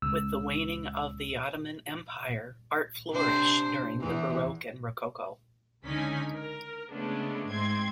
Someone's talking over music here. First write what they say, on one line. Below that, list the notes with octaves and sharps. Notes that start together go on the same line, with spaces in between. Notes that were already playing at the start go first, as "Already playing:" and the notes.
With the waning of the Ottoman Empire, art flourished during the Baroque and Rococo.
C#2 E6
C3 D4 C5
E2 E3
C#2 D3 C#4 D#4 G#5 B6
A#4
C#3 G#3 A3 B3 C#4 D4
G#2 C4 C6 G#6